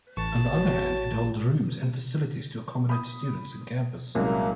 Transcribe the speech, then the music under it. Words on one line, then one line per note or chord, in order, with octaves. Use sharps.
On the other hand it holds rooms and facilities to accommodate students in campus.
A1 A5 C#6
F#4 C#5
B5 D#6
C2 A#2 F#3 G#3 A#3 C#4